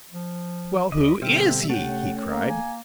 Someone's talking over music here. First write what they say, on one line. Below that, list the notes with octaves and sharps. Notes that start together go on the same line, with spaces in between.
"Well, who IS he?" he cried.
F3
D2 D5 D#5 B5
B2 D3 G3 C4 C5 E5 F6
C3 A3 C#4 F#5 G5
A#3 A#4
G#5